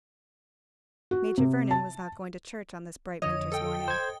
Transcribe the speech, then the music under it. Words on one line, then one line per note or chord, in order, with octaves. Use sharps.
Major Vernon was not going to church on this bright winter's morning.
F#4
C3
A5
F2 D3 F3 C#5 D#5
A4 G5
C5 G#6